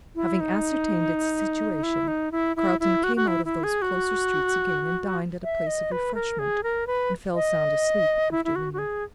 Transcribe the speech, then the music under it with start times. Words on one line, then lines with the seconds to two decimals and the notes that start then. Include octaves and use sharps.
Having ascertained its situation, Carton came out of those closer streets again, and dined at a place of refreshment and fell sound asleep after dinner.
0.15 E4
0.40 D#4
1.83 E4
2.08 D#4
2.32 E4
2.56 E4
2.80 E4
3.04 F#4
3.16 F#4
3.28 E4
3.45 E4
3.64 G#4
3.82 F#4
5.43 E5
5.67 D#5
5.92 B4
6.15 A#4
6.39 G#4
6.63 A#4
6.87 B4
7.35 D#5
8.31 E4
8.45 E4
8.56 F#4
8.73 F#4
8.78 G#4